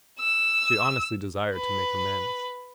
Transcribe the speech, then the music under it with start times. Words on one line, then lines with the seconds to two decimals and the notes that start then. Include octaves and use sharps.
She honestly desired to make amends.
0.19 E6
1.54 B4